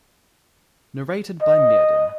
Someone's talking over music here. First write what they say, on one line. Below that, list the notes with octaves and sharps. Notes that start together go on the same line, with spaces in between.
Narrated by Myrddin.
D#5